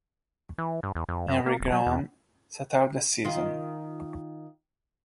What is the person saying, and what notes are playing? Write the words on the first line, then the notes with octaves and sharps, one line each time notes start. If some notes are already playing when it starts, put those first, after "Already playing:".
Henry Graham sat out the season.
E3
G2
E2
F2
F#2
A#3
D1
F#3
E2
D#3 F4